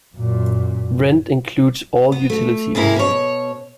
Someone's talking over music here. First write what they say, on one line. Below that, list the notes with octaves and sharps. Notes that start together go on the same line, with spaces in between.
Rent includes all utilities.
F#2 A#2
B3
A3
G#2 C3 A#3 E4
B2 C#5